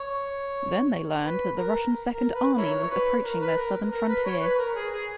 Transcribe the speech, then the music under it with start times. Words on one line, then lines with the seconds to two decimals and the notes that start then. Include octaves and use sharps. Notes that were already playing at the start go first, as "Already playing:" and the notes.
Then they learned that the Russian Second Army was approaching their southern frontier.
Already playing: C#5
1.22 B4
1.56 A#4
2.12 A#4
2.34 B4
2.57 E4 A#4 C#5
2.83 C#5
2.90 B4
3.24 A#4
3.41 B4
3.58 A#4
3.91 A#4
4.08 B4
4.26 C#5
4.42 B4
4.58 A#4
4.76 G#4
4.92 G#4